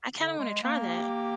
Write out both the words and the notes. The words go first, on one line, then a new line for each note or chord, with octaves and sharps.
I kinda wanna try that.
D3
G#3
A#3
G4